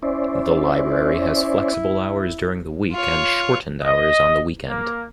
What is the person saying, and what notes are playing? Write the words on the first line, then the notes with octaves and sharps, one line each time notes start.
The library has flexible hours during the week, and shortened hours on the weekend.
C#4 E4 C5 D5
F4 C#5
D#5
A#3